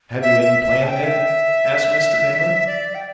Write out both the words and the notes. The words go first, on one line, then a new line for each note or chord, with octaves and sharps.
"Have you any plan, then?" asked Mr. Damon.
E5
E5
E5
A5
G5
E5
D5
G5